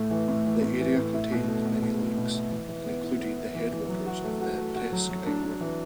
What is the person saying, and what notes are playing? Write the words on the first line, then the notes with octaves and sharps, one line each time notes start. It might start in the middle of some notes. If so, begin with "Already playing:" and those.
The area contains many lakes, and included the headwaters of the Presque Isle River.
Already playing: A2 A3
E3
A2
E3
A2
E3
A2
E4
B2
A3
B2
B2
E4
B2
E4
E3
E3
B3
E4
B3
E4
E3
E3
F#3
F#4
A3
F#4
A3
F#4
F#3
F#3
D4
D4
E3